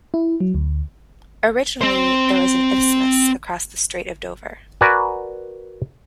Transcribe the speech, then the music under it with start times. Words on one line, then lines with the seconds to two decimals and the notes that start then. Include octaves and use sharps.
Originally there was an isthmus across the Strait of Dover.
0.14 E4
0.40 F#3
0.55 D2
1.81 C4 C5
4.81 F#4 A#4 B4 D5 G#5